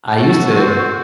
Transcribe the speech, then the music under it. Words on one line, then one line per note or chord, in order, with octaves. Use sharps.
I used to
F#4 A4
C4